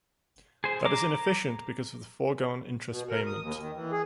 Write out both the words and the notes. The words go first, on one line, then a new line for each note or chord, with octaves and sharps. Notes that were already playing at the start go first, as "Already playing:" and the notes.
That is inefficient because of the foregone interest payment.
G#4 C5
A#5 D6
B2
A#4
D#6
D#2
D#3
E3
G#4